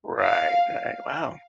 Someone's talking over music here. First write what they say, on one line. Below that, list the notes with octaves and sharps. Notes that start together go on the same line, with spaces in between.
Right, right. Wow.
F5